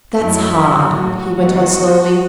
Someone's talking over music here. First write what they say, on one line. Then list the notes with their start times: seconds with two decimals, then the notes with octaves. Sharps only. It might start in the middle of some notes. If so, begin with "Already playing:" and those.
'That's hard,' he went on, slowly.
0.19 F#2 D#3 F#3 E4
0.81 A2 F#3 F#4
1.44 E2 D#3 F#3